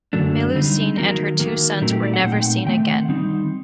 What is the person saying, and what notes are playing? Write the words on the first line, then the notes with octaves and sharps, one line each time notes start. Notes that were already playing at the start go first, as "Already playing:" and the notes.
Melusine and her two sons were never seen again.
F#2 D3 F#3 A3 D4
D3 G3 C4 D#4
D#3 F#3 A#3 A#4
D#3 F#3 A#3
A#2 F#3 A3 C4 D#4 A#4
G4
D5
F#5
A#2 A3 C4 D#4 F#5
G5
F#5
D#3 A3 C4 G5
F#5
D#3 G3 C4 D#4